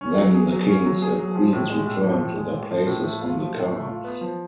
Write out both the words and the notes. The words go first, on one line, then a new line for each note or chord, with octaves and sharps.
Then the kings and queens return to their places on the cards.
C#4
F#3
G#4
F#3
C#4
F#3
G#4
F#3
F3
A2
G#3
A2
F3
A2
G#3
A2
F3
A2
A3
F4
F3
A2
A3
F4
B3
F3